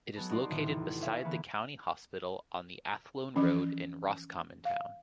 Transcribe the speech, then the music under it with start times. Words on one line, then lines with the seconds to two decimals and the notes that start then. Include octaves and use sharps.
It is located beside the county hospital on the Athlone Road in Roscommon Town.
0.16 F#3 G#3 B3 A4
0.29 C#4 D#4 F#4 D5 G5 C6
0.50 A1 D2 C3 D#3
0.69 E2
1.00 G#4 E5 F5 C#6
1.25 D3 E3 A#3 B3
3.36 E3 F3 C#4
4.65 F5